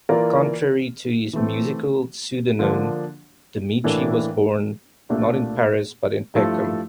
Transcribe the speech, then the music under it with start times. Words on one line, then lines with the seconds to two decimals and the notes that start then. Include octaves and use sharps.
Contrary to his musical pseudonym, Dimitri was born not in Paris but in Peckham.
0.09 E3 A#3 F4 A#4 D5
1.33 E3 A3 C4
2.59 D3 F3 A#3 D4
3.84 A2 E3 A#3 D4 A4
5.09 C2 A#2 A3 D4 A4
6.34 G2 F3 A3 E4 A4